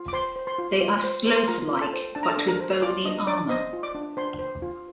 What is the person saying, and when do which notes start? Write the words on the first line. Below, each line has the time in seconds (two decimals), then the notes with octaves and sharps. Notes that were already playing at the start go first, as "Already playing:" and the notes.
They are sloth-like but with bony armor.
Already playing: F4
0.08 D6
0.13 C5 C6
0.36 C5
0.47 C5 C6
0.58 F4
0.81 F4
1.04 C5
1.25 C5
1.36 C6
1.48 F4 A#4 A#5
1.71 F4
1.81 A4 A5
1.93 C5
2.15 D4 A5
2.23 A#5
2.29 A4 A5
2.38 D4
2.48 A#4 A#5
2.60 C5
2.82 F4 D5 D6
3.05 D4 D#5 D#6
3.20 D#6
3.27 D4 D5 D6
3.49 C5 D#5 D#6
3.73 F4
3.83 D5 D6
3.95 D4
4.17 D4 C5 C6
4.39 C5
4.62 F4